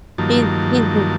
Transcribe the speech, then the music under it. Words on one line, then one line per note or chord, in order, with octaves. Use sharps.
She's she's n
G2 D#3 F3 F#3 A#3 A5